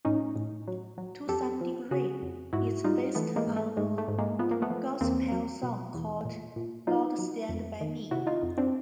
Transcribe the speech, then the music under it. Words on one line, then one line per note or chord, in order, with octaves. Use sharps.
To some degree, it's based on a gospel song called "Lord Stand By Me".
A2 C#4 D#4
A2
F#3
F#3
F2 G4 A4
F3
C#3 F#4 G#4
F2
G#2 E4 F#4
G3 D#4 F4
E3 A3 B3
G#3 A#3
G#2
A3
G#2 G#3
A3
G#2
G#3 A#3
F3 B3
A#3
A3 B3
F3
E2 A#3 C4
F#3
B2
E2
A#2
A#2
F#3 D#4 F4
F#3
F2
D#3
C3 E4 F#4
D#4 F4
F2
C4 D4